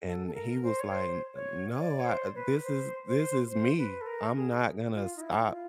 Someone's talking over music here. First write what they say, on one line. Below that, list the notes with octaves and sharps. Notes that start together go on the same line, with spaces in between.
And he was like, "N n no, uh, this is this is me. I'm not gonna stop,
A4
A4
A#4
C5
C#5
C5
C#5
D5
C#5
C5
B4
C5
C5
C5
B4
A4
A#4
G#4
F4
D#4
E4
F4